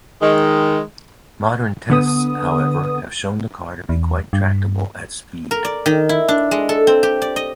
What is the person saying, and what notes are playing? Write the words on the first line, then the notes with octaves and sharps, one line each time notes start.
Modern tests, however, have shown the car to be quite tractable at speed.
D#3 G#3
D3 B3 D#6
E2
G2
A#4
D5
D#3
E4
D4
G#3
A4
C4
G4
D5
D#5